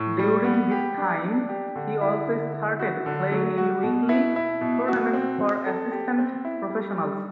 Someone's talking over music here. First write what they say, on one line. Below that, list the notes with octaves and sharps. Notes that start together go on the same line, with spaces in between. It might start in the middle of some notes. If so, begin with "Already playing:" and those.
During this time he also started playing in weekly tournaments for assistant professionals.
Already playing: A2
G3
B3
G4
D4
D4
G4
D3
E4
D3
E4
F#4
D3
F#3
F#4
B2
E4
E4
B2
F#4
C4
C4
A4
G4
C4
E4
G3
G3